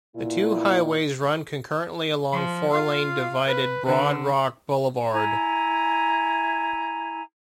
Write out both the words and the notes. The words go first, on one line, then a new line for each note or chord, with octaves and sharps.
The two highways run concurrently along four-lane divided Broad Rock Boulevard.
A#2 B3 E4
F3
F4 F5
B4
D3 B4
E4 G#5 A#5